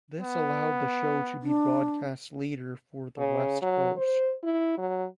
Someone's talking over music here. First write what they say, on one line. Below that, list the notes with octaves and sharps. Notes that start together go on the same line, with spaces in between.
This allowed the show to be broadcast later for the West Coast.
B3
D4
C#3
F#3
C5
E4
F#3